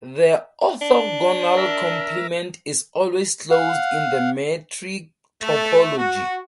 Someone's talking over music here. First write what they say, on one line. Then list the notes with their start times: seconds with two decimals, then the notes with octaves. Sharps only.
The orthogonal complement is always closed in the metric topology.
0.82 D4
1.57 A#4 E5
3.51 F5 F#5
5.41 A3
5.96 F#4